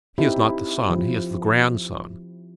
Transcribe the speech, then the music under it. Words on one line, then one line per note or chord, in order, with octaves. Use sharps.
He is not the son; he is the grandson.
C4 D#4 E4 G4
F3